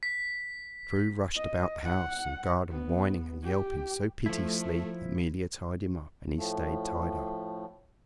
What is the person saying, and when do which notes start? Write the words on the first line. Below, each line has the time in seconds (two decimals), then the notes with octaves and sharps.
But True rushed about the house and garden whining and yelping so piteously that 'Melia tied him up, and he stayed tied up.
0.03 B6
1.36 D#5
1.83 F#5
2.70 B3
3.43 G4
4.26 F3 A3 E4
6.37 A2 F3 A3